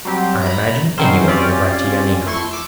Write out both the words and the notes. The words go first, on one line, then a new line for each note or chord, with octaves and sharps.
"I imagine any one may write to Yanina."
F#3 G3 C4 G4
A#5 B5
D#3 F#3 G3 C4 C#4 C5
C4 C#4 F4 G4 D5
F2 A3 E4 C6 C#6
D6 E6